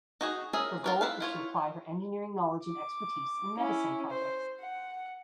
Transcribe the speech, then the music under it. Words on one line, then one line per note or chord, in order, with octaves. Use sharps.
Her goal is to apply her engineering knowledge and expertise in medicine projects.
D#4 F#4 G#4
C#4 G#4 A#4 E5
F4 A#4 B4
E4 B4 F5
E4 F4 C#5
D6
C#4 E4
C5
F#5